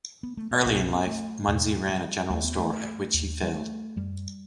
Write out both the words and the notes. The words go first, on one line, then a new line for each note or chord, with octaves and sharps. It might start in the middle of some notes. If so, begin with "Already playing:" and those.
Early in life, Munsey ran a general store, at which he failed.
B3
A3
B3
C2 B2 B3
C4
B3
A3
E2 B2
G3
D#2 A3
B3
A3
D#2
G3
A3
F#2 G3